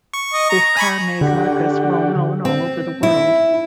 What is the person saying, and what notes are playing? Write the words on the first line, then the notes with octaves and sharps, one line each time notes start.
This car made Marcus well-known all over the world.
C#6
D#5
A#5
G#5 B5 C#6
D3 D4 F#4 G4
C4
E4